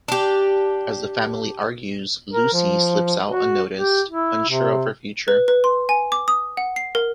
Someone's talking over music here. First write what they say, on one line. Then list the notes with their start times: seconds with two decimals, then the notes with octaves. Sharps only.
As the family argues, Lucy slips out unnoticed, unsure of her future.
0.08 D4 G4
2.32 A#4
2.53 F3
3.29 F#4
3.77 G4
4.10 E4
4.49 C3
5.28 B4
5.48 B4
5.64 C6
5.89 G#5
6.12 D6
6.28 D#6
6.57 F#5
6.76 C7
6.95 A#4